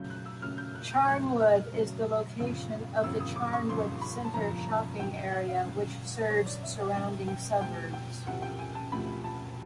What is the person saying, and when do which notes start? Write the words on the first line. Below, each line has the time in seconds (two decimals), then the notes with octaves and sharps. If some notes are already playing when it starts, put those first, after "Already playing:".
Charnwood is the location of the Charnwood centre shopping area which serves surrounding suburbs.
Already playing: F#2 C#3 F#3 A3 G6
0.10 F#6
0.25 E6
0.42 F#2 C#3 F#3 A3 F6
0.58 G6
0.75 F#6
0.91 G6
1.07 F#2 C#3 F#3 A3 F#6
1.40 F6
1.72 F#2 C#3 F#3 A3
2.39 G1 F2 C#3 F3
3.03 G1 F2 C#3 F3 E6
3.20 D#6
3.36 D6
3.53 C#6
3.69 G1 F2 C#3 F3 C6
4.01 B5
4.25 A5
4.34 G1 F2 C#3 F3 A#5
4.99 G#1 F#2 D3 G5
5.16 G5
5.32 F#5
5.48 F5
5.65 G#1 F#2 D3
6.30 G#1 F#2 D3 C#5
6.46 D5
6.63 E5
6.79 F#5
6.96 G#1 F#2 D3 G5
7.28 G5
7.61 D2 C3 F3 A3 G5
7.94 G5
8.27 D2 C3 F3 A3 F#5
8.42 G5
8.59 G#5
8.75 A5
8.92 D2 C3 F3 A3 B5
9.24 A5